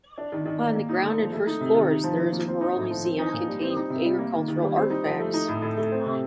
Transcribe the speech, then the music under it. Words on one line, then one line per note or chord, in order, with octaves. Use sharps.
On the ground and first floors there is a rural museum containing agricultural artifacts.
D4
D#3
D#3
A#3
A#3
D#4
D3
F3
A3
D#4
C3
D#3
D#4
F3
F3
A#3
C4
D#4
A2
F3
C4
D#4
A#2
G3
C4
D#4
C3
G3
A#3
D#3
D#3
G3
C4
D#4
F3
A3
D#4
A2
A2
A3
C4
C3